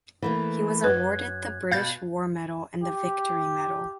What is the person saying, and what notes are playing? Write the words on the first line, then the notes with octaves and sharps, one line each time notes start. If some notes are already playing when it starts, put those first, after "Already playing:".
He was awarded the British War Medal and the Victory Medal.
E3 A3 A#3
F#2 B4 F#6 G#6
B2 F5 G6 A6
G4